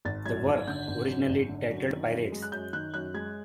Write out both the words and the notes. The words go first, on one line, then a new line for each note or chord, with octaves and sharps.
The work, originally titled Pirates!
G#1 A6
F#2 G#6
G#1
D3 G6
G#1
F#2
G#1
D3
F#2
D#3
F#2
G#3
F#6
F#2 G6
D#3 F#6
F#2 F#6
G#3 G#6